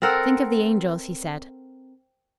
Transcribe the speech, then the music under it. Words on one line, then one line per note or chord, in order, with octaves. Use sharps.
"Think of the angels," he said.
C4 A4 A#4 F#5